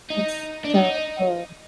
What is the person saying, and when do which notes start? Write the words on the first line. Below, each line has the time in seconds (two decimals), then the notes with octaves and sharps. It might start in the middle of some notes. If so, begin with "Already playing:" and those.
That's so cool.
0.10 D#4
0.65 D4
0.74 D#4